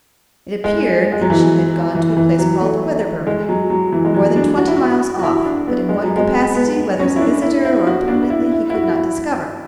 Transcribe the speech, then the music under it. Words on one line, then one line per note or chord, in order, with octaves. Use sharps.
It appeared that she had gone to a place called Weatherbury, more than twenty miles off, but in what capacity--whether as a visitor, or permanently, he could not discover.
G#3
G#3
F#3
E3
E3
E3
F#3
A3
G#3
F#3
F#3
E3
G#3
F#3
D4
F#4
E4
F#4
F#4
E4
D4
B3
G#3
F#3
G#3
B3
C#4
E4
D4
E4
E4
F#4
D4
E4
E4
E4
F#4
E4